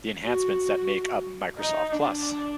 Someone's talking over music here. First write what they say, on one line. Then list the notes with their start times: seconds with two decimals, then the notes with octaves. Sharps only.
The enhancements that make up Microsoft Plus!
0.24 F#4
1.58 D#4
1.92 D4